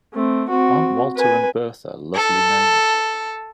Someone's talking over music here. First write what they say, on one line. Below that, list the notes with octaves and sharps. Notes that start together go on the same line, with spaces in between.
Aren’t Walter and Bertha lovely names?
A3 C4
C4 F#4
B4 G#5
A4